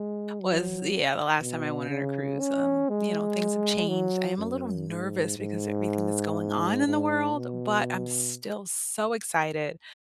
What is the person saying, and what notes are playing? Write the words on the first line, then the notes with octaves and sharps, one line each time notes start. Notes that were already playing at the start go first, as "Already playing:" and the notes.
was, yeah, the last time I went on a cruise, um, you know, things have changed. I am a little nervous because everything that's going on in the world, but I'm still so excited
Already playing: G#3
F#3
B2
C#3
C#4
G#3
F#3
F#2
G#2
G#2
G#2
B2